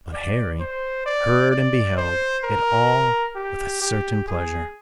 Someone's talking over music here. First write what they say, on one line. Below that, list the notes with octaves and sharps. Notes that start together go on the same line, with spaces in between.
But Harry heard and beheld it all with a certain pleasure.
D5
C5
D5
D5
C5
A#4
G4
G4
G#4